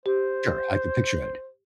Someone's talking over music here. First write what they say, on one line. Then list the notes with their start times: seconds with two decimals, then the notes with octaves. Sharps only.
Sure, I can picture it.
0.06 G4 C5